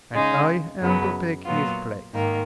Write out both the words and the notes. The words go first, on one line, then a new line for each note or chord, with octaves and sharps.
"And I am to take his place."
C#3 G#3 D#4
F#2 C#3 F#3 B3
A#2 F#3 B3 F4
G#2 D#3 A#3